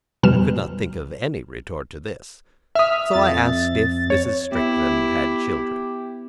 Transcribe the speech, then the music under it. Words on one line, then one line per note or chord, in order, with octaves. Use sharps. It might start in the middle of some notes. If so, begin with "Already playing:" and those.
I could not think of any retort to this, so I asked if Mrs. Strickland had children.
F2 B2 G3 B3 F6 E7
E5 D#6 F6 B6
F2 A6
C#5
B3 E4 G4